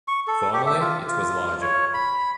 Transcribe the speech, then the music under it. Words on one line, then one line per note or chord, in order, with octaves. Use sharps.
Formerly, it was larger.
C#6
A4
G4
E5
F4
F4
C#5
B5